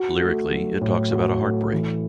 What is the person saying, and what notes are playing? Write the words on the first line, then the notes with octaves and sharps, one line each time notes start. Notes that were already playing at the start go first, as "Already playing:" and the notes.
Lyrically, it talks about a heartbreak.
Already playing: F#4
A3
F#3
A2
F#4
A3
E3